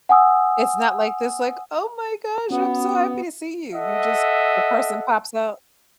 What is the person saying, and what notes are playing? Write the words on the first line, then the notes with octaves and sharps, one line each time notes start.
It's not like this, like, "Oh my gosh, I'm so happy to see you." You just The person pops out,
F#5 G#5 D#6 E6
B3 C#4 F#4
A4 D#5 E5 F#5